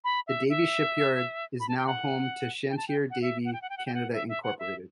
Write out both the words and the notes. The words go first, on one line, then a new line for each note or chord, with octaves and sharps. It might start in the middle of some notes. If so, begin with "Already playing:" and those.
The Davie Shipyard is now home to Chantier Davie Canada Incorporated.
B5
E5
E5
B5
A5
G5
F#5
G5
A5
G5
F#5
E5
F#5
G5
F#5
G5
F#5
G5
F#5
E5
E5
F#5
E5